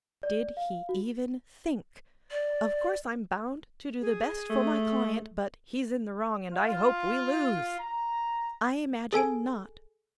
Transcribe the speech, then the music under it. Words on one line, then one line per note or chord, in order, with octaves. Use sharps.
Did he even think, "Of course I'm bound to do the best for my client, but he's in the wrong, and I hope we lose?" I imagine not.
D5
F5
F#4
D5
G#4
A3
F4
A#5
G#4 A4 G#5 D7